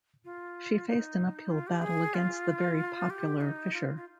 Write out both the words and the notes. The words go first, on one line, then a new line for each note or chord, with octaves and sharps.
She faced an uphill battle against the very-popular Fisher.
F4
D#4
F4
G4
G#4
F4
G4
D#4
F4
F4